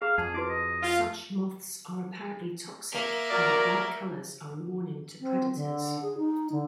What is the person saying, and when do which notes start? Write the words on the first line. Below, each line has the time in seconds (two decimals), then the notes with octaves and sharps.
Such moths are apparently toxic and the bright colors are a warning to predators.
0.02 G#4 F5 A#5
0.18 F2 G#4 A5
0.34 E4 F#4 B4 D6
0.49 D#5
0.83 F4
2.92 A#3 E5
3.30 F#3 A#4 D5
5.21 C4
5.55 D3
6.01 G#4
6.18 D#4
6.52 D3